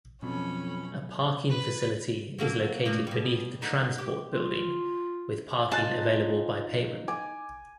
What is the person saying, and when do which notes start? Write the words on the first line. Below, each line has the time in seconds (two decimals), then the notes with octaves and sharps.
A parking facility is located beneath the TransPort building, with parking available by payment.
0.22 F2 B2 F#3 C#4 B5
1.50 B4
2.38 F#3 A#3 A4
2.85 A2 A#3 D4
3.07 B2 G3
3.62 D3 D#4
3.98 G4
4.33 F4
5.72 D#4 F4 G#5 A5 F#6 A6
7.08 G#5 D6